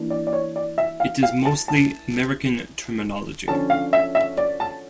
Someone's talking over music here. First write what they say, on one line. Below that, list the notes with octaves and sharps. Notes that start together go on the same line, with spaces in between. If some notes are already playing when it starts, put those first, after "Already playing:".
It is mostly American terminology.
Already playing: E3 A#3 D4
D5
D5
C#5
D5
E5
F5
F5
A5
A5
D3 F3 C#4 A5
F5
E5
E5
D5
A5